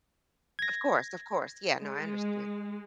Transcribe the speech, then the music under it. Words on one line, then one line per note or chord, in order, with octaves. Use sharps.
Of course, of course, yeah, no, I understood.
G#6 A#6
G#3